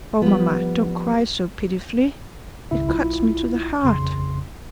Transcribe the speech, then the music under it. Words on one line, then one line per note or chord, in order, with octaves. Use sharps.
Oh, mamma, don't cry so pitifully,--it cuts me to the heart.'
F3 G3 B3
G#1 C#2 C#3 E4 E5
B1 E4 F4
A1 F2 C#3 C6